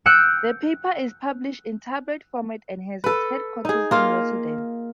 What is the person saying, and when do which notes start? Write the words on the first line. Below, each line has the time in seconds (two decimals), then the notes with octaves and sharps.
The paper is published in tabloid format and has its headquarters in Rotterdam.
0.06 E6 F#6 G6 C#7 D7 E7
3.04 A4 B4
3.65 D#4 G#4
3.91 A#3 F4